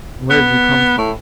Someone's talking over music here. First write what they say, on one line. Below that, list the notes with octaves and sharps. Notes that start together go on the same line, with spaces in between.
Where have you come from?
B3
A2